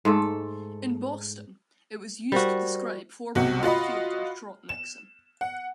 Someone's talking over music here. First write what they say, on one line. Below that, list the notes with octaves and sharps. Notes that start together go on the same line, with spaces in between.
In Boston, it was used to describe former Right Fielder Trot Nixon.
G#2 A3 A4
G3 F#4 A#4 C5 A#6
B1 C3 F#4
F4 F#4 D#5 B5
E7
F#5